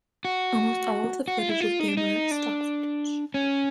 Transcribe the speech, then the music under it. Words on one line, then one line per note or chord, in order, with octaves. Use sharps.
Almost all the footage of Gamera is stock footage.
F#4
F#4
F4
E4
F4
D#4
D4
D#4
D4
C#4